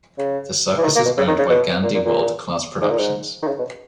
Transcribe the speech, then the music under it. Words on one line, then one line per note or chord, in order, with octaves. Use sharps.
The circus is owned by Gandey World Class Productions.
C#3
E3
D#3
A#3
B2
C#3
D#3
C#3
B2
A#2
A#2
A#2
G#2
A#2
G#2
D#3
C#3
B2